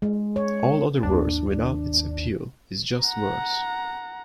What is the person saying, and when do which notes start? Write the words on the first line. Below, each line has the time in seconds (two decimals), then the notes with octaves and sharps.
All other verse, without this appeal, is just verse.
0.02 G#3
0.36 C#5
1.03 G#1 D#2 D4
3.05 F#5 A#5